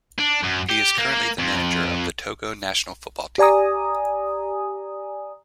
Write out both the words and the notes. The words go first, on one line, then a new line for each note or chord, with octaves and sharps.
He is currently the manager of the Togo national football team.
D4
F#2
G4
A#3
F2
G4 D5 G#5 A#5 D#6